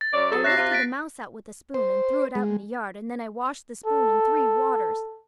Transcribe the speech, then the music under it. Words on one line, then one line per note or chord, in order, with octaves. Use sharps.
I lifted the mouse out with a spoon and threw it out in the yard and then I washed the spoon in three waters.
A6
F#2 C#5 D5
F#3 G#4 A4
C3 C#5 E5 F#6 A#6 C7
C3 F4
A6 B6 D7
C5
G#3
A4